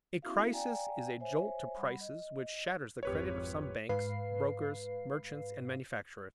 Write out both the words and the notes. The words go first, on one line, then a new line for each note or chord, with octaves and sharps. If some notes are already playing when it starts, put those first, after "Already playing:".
A crisis is a jolt to prices which shatters the credit of some banks, brokers, merchants, and manufacturers.
B3 C#4 E4 F#4 E5 F5
D5 F5 G5 G#5 A#5
C5 C#5 E5 G#5
G3 F#5 B5
D#5
G#1 F2 G4 B4 C#5
G#2 B4 F5 C7